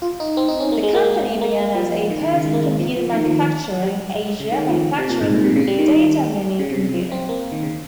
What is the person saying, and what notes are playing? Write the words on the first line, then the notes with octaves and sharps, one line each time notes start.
The company began as a personal computer manufacturer in Asia manufacturing the Datamini computer.
F4
D#4
C4
D#4
C#4
A#3
G#3
A#3
A#3
F3
D#3
D#3
C#3
G#3
A#3
G#3
F3
F3
D#3
F3
F3
G3
C#3
D#3
F3
C3
A#2
G#2
A#2
C3
C#3
G3
D#3
C#3
C3
F3
C4
A#3
D#3
C#3